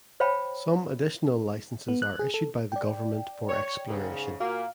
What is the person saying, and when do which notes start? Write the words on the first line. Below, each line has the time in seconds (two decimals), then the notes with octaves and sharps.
Some additional licenses are issued by the government for exploration.
0.20 C5 C#5 F5 G5 A5 B5
1.88 B3
2.02 F#6
2.19 G#4
2.34 A4
2.72 D5 G5
3.49 C#5
3.88 G#2 C#3
4.40 A#2 A#3 F#4 F5